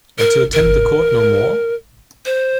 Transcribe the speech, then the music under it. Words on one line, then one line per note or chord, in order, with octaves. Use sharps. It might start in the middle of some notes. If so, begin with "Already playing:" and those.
And to attend the court no more?
A#4
A#4
C5